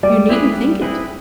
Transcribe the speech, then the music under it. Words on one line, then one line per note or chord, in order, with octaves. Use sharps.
You needn't think it.
G3 D5
C4 E4 G#4 B4
G3
C4 E4 G#4 B4